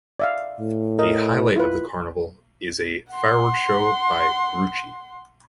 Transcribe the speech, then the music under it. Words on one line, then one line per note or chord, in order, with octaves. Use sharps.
A highlight of the carnival is a fireworks show by Grucci.
D5 E5 F5
A2
A#4 D#5
E4 F4 B4
F#5 C6